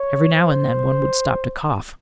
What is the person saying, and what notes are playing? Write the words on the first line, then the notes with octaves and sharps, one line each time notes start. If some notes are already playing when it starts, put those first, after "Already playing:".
Every now and then one would stop to cough.
Already playing: C#5
C5